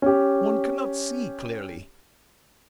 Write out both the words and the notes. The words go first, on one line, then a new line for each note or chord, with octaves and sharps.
One cannot see clearly.
C#4 G4